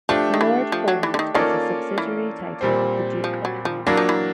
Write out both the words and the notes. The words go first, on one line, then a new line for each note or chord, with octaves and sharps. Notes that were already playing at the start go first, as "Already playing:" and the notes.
Lord Polmont is a subsidiary title of the Duke of Hamilton.
F3 A3 D4 G4
D#3
E3
F3
F#3
E3
D3
D#3
D#3 A#3 C#4 F4 A4 D5
E3
A#2 G3 C4
F3
F#3
F3
E3 F#3 A#3 D4
F3
E3